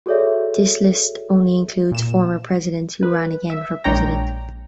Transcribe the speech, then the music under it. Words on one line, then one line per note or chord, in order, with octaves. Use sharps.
This list only includes "former" presidents who ran again for president.
F#4 G#4 A4 C#5 D5 E5
A#2 E7
B4
E5
A#1 G#3 D4 C#5 G5 A#5